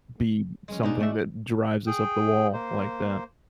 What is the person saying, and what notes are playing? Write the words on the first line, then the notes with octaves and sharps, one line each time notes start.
be something that drives us up the wall like that.
G#3 C#4
B2 G#3 D4 D#4
A3 E5
G#4 G5
A#3 C5